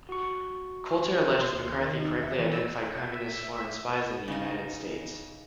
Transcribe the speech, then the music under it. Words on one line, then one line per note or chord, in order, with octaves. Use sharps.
Coulter alleges McCarthy correctly identified communist foreign spies in the United States.
F#4 C#6
C6
D#2
C6
D#3
D#4
E2
E5
E3
E6
E5
C#3 D#4